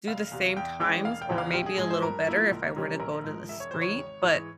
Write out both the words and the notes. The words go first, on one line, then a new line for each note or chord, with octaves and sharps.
do the same times or maybe a little better if I were to go to the street, but
F1 F5
E2 C3
E2 G5
E3 G#3 C#4 G5
E1 F5
G5
E2 C#3 E3
F5
A#1 G4
G#4
G#2 F3 G#3 G#4
C5
G2 A#4
F3 A#3 E4
C#2
C3 E3 G3 C#4
A#1 A#4
G#2 F3
E1 E5
C#5
E2 C#3 E3 C5
C#5
G#1
G#2 E3 G#3